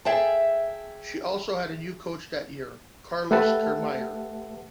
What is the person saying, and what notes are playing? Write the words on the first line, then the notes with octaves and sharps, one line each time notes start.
She also had a new coach that year, Carlos Kirmayr.
G#4 E5 G5 A5
A3 G4 B4 E5 F#5 A5